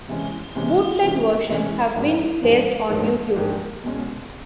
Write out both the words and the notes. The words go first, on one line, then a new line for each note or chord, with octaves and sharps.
Bootleg versions have been placed on YouTube.
C3 E3 G#3 C#4
C3 E3 G#3 C#4
C3 E3 G#3 C#4
C3 E3 G#3 C#4
G#2 F3 A#3 D4 G4
G#2 F3 A#3 D4 G4
G#2 F3 A#3 D4 G4
G#2 F3 A#3 D4 G4
B2 G#3 C#4